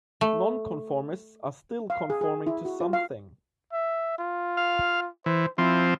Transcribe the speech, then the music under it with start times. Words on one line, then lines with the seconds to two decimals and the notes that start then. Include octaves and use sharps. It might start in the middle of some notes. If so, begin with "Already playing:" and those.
Non-conformists are still conforming to something.
0.21 A3
1.90 F5
2.10 G#4
2.21 G#4
2.47 E4
2.65 F#4
2.80 F4
2.93 F5
3.72 E5
4.18 F4
4.57 F5
5.26 E3 C5
5.58 F3 C4 E4